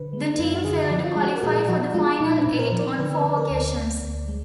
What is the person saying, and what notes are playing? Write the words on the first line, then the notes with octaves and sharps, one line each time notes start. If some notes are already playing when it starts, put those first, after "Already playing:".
The team failed to qualify for the final eight on four occasions.
Already playing: D3 B4
G#3
D4
F#2 D#4
F4
F#4
D3 G#4
F#4
F3
F4
G#3
F#4
A#4
A#2 G#4
F3 F#4
G#3 F4
A#2 D#4
D4
A#2
A#4
F3
D5
D3 B4
B4
D3
A#4
D2
D5
D2
D2
G#3